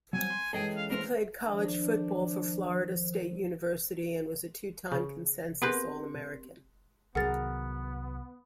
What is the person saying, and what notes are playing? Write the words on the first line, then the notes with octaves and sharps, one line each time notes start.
He played college football for Florida State University, and was a two-time consensus All-American.
F#3 G3 C4 G#5
C6
E3 G#3 C#4 G#4 A4 D#5 G5
F5
G3 A3 A#4 C5
D#3 F3 D4
C#3
B3 C4 G4 G#4 A#4 B4
C2 D#3 F#3 B3 G#4 A#4 F#5 A6